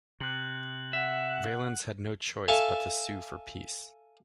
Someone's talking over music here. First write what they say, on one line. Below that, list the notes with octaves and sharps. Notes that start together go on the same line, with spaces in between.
Valens had no choice but to sue for peace.
C3 F#6 F#7
E5 F#5
A4 E5 F5 G#5 A5 C#6